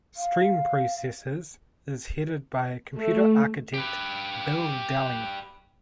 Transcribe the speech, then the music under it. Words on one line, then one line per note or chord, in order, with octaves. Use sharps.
Stream Processors is headed by computer architect Bill Dally.
F5
A3
G4 B4